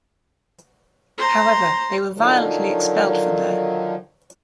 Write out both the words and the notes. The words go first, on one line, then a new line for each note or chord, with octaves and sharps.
However, they were violently expelled from there.
C5 A#5
D3 D#3 F3 F#3